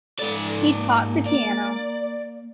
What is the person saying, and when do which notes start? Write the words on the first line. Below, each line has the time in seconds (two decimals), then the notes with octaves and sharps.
He taught the piano.
0.19 G#2 A4 D5
0.64 A#3
1.26 D5